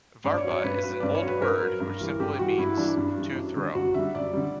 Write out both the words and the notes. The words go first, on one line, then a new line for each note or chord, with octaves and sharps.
"Varpa" is an old word which simply means "to throw".
G2 D5
C#5
F#3
C#5
G2 B4
F#3 B4
G2 D5
C#5
F#3
B4
G2 A#4
F#3
G2
E3 G3
G2 G4
E3 G3 F#4
G2 E4
E3 G3 D4
G2
E3 G3
F#2
D3 G3
F#2 F#4
D3 G3 E5
F#2 D5
D3 G3